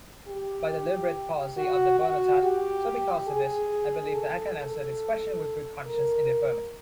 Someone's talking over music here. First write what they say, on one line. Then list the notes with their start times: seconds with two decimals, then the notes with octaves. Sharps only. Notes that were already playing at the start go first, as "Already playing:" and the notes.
By deliberate policy of the Bernotat, so because of this, I believe that I can answer this question with good conscience in the affirmative.
0.28 G4
1.57 F#4
2.00 F#4
2.43 G4
3.29 G#4
4.14 A4
4.57 A4
5.86 A#4